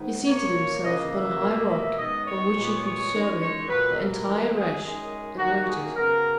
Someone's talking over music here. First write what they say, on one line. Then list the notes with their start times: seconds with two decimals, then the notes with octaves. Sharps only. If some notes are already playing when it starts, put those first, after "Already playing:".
He seated himself upon a high rock, from which he could survey the entire Reche, and waited.
Already playing: G#2 D#3 F#3 B3
0.26 B2 A#3 C#5
0.83 C#3 E3 A#3 D#5
1.12 E5
1.40 B2 A#3
1.68 E5
1.96 F#2 D#3 G#3 B3 D#5
2.25 C#5
2.54 A#2 G#3 B3
2.82 C#5
3.11 F#2 D#3 G#3
3.39 C#5
3.67 A#2 F#3 A#3 B4
3.96 A#4
4.24 F#2 E3 G#3
4.53 G#4
4.81 F#2 D#3 G#3 G#4
5.38 F#2 D#3 F#3 A#3 F#4
5.67 G#4
5.95 C#3 F#3 B3 A#4